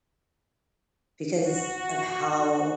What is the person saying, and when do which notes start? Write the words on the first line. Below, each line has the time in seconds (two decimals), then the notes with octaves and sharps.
because of how
1.46 F#4